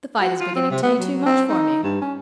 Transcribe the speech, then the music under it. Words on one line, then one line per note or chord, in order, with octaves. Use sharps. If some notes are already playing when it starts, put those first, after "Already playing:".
The fight is beginning to be too much for me.
F#4
F4
C4
C3
B3
F#3
C4
D#4
G2
C#4